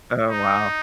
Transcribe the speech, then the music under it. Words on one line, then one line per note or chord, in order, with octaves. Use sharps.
Oh, wow.
D#4